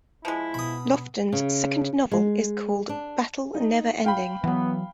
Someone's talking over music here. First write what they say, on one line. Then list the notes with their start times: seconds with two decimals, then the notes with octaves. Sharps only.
Lofton's second novel is called "Battle Neverending".
0.25 F3 G#3 E4
0.54 B2 B5 D#6
1.32 C#3
2.11 G#3
2.89 D4
3.55 D#4
4.04 F5 G5 B5
4.44 E3 F#3 B3